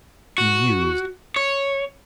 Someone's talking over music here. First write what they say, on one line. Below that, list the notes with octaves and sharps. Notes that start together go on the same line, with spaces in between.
He mused.
F#4
C#5